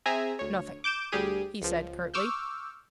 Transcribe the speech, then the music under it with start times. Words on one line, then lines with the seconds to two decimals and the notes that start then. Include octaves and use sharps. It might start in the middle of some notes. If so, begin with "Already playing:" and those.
"Nothing," he said curtly.
0.06 C4 G#4 E5 G#5 A#5
0.39 D2 C#5
0.84 D6 G6 D7 E7
1.12 D2 G3 G4 G#4 D#7
1.62 C#2 F3
2.14 C#6 D6 E6 F6 G6